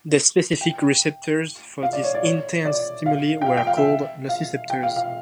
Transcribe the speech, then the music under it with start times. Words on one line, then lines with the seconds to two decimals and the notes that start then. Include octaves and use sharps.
The specific receptors for these intense stimuli were called nociceptors.
0.61 G5
1.83 F5
1.93 D5
2.03 C#5
2.15 D5
2.24 C#5
2.65 D5
3.06 F5
3.42 G5
3.46 F5
3.57 G5
3.67 F5
3.77 E5
4.29 F5
4.70 G5
4.83 F5
4.96 F5